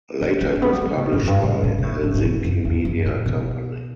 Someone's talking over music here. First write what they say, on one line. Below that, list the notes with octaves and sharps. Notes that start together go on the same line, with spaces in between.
Later it was published by Helsinki Media Company.
E3
A3
A3
B3
G3
A3
C#3
B2
F#2
F#2
G2
A2
B2
B2
A2
A2
A2
B2
F#2
E2
F#2
A2
B2